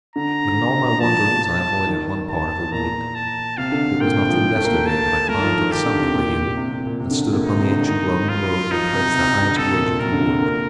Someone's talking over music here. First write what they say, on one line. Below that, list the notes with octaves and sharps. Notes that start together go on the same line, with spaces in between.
But in all my wanderings I avoided one part of the wood; it was not till yesterday that I climbed to the summit of the hill, and stood upon the ancient Roman road that threads the highest ridge of the wood.
D3 A#5
F3 A5
A5
D#3
A5
A#2 A#5
A5
C3 F5
D3
C3
A#2 G5
C3
F3
A3
A#3
A5
A3 A#4
D#3
F3
D#3
D#3 G4
D3
C3
A#2
C3
C3
A#2
C3
D3
C3
A#2
C3 D#4
C3
D3
D#3 D#4
F4
F3 D#4
C3
C3
C3
D3
C3 A4
A#2
A#2
C3 A#4
D3
C3
A#2